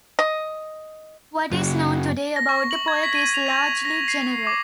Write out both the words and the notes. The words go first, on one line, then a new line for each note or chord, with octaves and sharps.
What is known today about the poet is largely general.
D#5
F#2 C#3 F#3
A#6
C#6
F#7
G#6
B6
D#7
F7
A#6
A#6
C7
D6